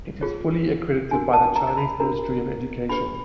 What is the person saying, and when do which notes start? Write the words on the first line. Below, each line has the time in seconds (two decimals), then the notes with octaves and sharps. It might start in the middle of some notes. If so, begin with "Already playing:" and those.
It is fully accredited by the Chinese Ministry of Education.
0.21 F4 G#4 C#5
1.11 D4 F#4 A#4 G#5
1.33 A5
1.56 A#5
1.67 A#5
1.77 B5
2.00 D4 F#4 A#4 A#5
2.89 D4 G4 B4 B5